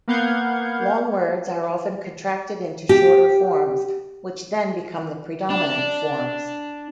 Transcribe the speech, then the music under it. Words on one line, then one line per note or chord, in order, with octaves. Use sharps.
Long words are often contracted into shorter forms, which then become the predominant forms.
A#3 B3 F5 F#5 G6 G#6
G4
D4